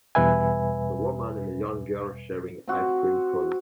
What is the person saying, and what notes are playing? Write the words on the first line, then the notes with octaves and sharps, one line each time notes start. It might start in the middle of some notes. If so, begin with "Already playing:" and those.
A woman and a young girl sharing ice cream cones.
E2 B2 G3 B4 E5 G#5
C4 F#4